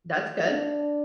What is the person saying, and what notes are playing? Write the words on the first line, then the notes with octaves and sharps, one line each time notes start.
That's good.
D4